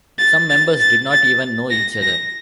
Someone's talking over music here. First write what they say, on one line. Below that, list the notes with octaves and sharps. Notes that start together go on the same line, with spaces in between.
Some members did not even know each other.
A6
A6
A6
A6
A#6
A#6